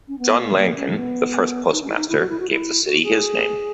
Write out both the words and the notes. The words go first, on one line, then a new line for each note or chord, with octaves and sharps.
John Lankin, the first postmaster, gave the city his name.
C#4
B3
A#3
G#3
A#3
C#4
B3
D#4
C#4
E4
D#4
E4
F#4
E4
F#4
E4
F#4
G#4